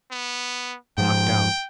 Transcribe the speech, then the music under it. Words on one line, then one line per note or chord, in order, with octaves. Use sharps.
Knocked out.
B3
G#2 F3 G5